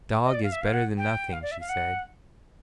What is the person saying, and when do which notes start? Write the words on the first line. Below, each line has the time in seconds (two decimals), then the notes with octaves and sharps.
"A dog is better than nothing," she said.
0.24 D#5
0.34 D5
0.44 F5
0.52 E5
0.62 F5
0.73 F#5
0.98 G5
1.33 F5
1.42 D5
1.51 E5
1.60 F5
1.69 F#5